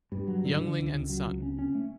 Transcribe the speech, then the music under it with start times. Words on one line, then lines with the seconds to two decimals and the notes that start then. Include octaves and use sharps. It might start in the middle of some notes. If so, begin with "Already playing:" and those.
Yuengling and Son.
0.12 G2
0.27 F#3
0.45 D3
0.61 D3
0.77 C#2
0.94 C#2
1.09 F#3
1.26 C#2
1.42 C#4
1.59 C#4
1.75 A3